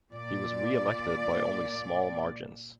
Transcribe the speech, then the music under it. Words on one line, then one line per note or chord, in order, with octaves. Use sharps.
He was re-elected by only small margins.
A#2 D5